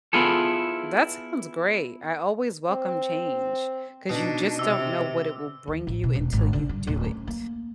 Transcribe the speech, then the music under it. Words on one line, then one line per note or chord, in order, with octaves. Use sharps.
That sounds great, I always welcome change 'cause you just don't know what it will bring you until you do it.
B3 E4 F4 G#4 A4
C4
B2 D4 D#4
C3 D6 E6
D#2
A1
B2
E1
G#1
D3
G2
D1
C#4
A#3